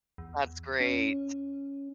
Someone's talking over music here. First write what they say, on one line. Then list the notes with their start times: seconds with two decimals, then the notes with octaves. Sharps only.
That's great.
0.18 E2
0.81 C#4